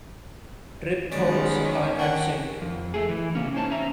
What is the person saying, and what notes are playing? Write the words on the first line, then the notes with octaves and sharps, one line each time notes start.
Triphthongs are absent.
D#3 G#3 B3 C#4 D5
D#3 D4 F#5
F2
A3 G#4
E3
C3 D#3 A#3 C#4
C#4 D#4 C5 A5
C#4 E5 A#5